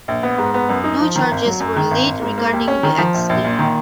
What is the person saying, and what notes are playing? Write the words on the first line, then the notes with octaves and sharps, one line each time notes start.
No charges were laid regarding the accident.
A#1
B3
G#2
B3
F#2
D#4
F3
D#3
G#1
F#3
F#2
D#3
G#1
G#1
G#2
A#3
D#2
C#4
D#3
F3
A#1
A#1
A#2
D#3